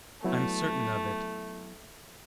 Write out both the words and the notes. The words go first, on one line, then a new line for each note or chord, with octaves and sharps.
"I'm certain of it."
F#3 A3 B3 E4